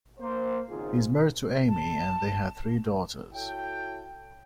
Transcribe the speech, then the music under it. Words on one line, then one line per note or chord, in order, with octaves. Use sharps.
He is married to Amy and they have three daughters.
A#3 C5
G#1 C#2 G#2 F4 G#4
A5
E4 F#4 A4 C#5 G5